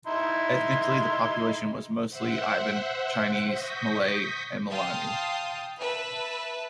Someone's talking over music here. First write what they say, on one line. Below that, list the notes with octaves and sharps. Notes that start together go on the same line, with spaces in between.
Ethnically, the population was mostly Iban, Chinese, Malay, and Melanau.
D#4 E4 C6
C5 E5 F#5
C#6 D#6 G6 A#6 B6
F5 G5 A5 C6 D#6
B4 E5 A5